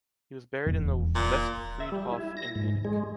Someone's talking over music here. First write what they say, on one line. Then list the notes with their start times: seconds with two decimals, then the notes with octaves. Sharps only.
He was buried in the Westfriedhof in Munich.
0.67 D#1 E2
1.15 A#2
1.80 E5
1.92 G3
2.12 E4
2.37 A#6
2.55 G#2
2.85 G#3